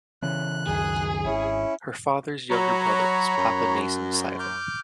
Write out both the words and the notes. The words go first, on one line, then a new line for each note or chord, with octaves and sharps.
Her father's younger brother was Papanasam Sivan.
C#3 E3 C#4 F#6
C#2 F#2 D#3 G#4
G#1 C#4 E4
F#3 C#5 A#5 B5
F#2
D6 F6 G6